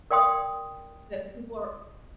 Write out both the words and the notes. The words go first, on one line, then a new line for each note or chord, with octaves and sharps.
That people are
A#4 D5 G5 C6 D#6